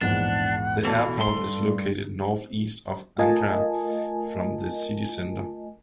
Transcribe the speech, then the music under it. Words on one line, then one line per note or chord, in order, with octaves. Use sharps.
The airport is located northeast of Ankara, from the city center.
A#1 E2 G#2 D4 F#5
B2 E3 A4 D5 A5
G2 C6
A3 F4 A#4 D#5 G#5 A5